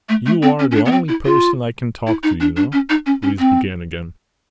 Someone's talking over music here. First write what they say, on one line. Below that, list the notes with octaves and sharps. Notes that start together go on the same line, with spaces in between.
"You are the only person I can talk to, you know," Lise began again.
A3
A3
C4
C#4
C#4
D4
B3
C4
E4
F4
E4
D#4
D4
D4
C#4
D#4
C#4
C#4
C4